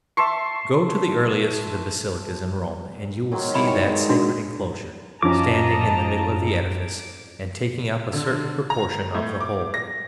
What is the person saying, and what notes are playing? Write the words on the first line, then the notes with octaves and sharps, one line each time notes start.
Go to the earliest of the basilicas in Rome, and you will see that sacred enclosure standing in the middle of the edifice and taking up a certain proportion of the whole.
E5 A5 C6 C#6
G#2 D#3 F#3
G3 E4 B5
E4 C#5 G5
G#3
D4 F#4
F#2 F3 C#4 D#5 A5 A#5 D6
D3
A#5
A2
D6
A#6